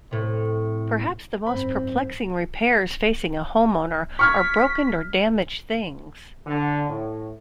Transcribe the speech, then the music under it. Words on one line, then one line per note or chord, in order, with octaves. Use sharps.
Perhaps the most perplexing repairs facing a home-owner are broken or damaged things.
A2 C3
G#1 F#2 C4 C5 B5
C#6 F6 G#6 B6
D3
A2